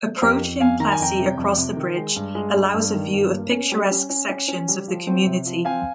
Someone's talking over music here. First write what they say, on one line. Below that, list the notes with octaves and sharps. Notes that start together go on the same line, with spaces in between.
Approaching Plassey across the bridge allows a view of picturesque sections of the community.
C5
F2 G4 A#4
F2
F2 F5 G#5
D#3 A#5
G#5
F2 G5 A#5
C3
F2
C3
D#3
G#3
G2
G#3
G2
G2
D#3
G2
A#3
C#4
G3
C#4
C#4
C#4
C#4
G3
F3
C4
C3
F3
C4 F5 G#5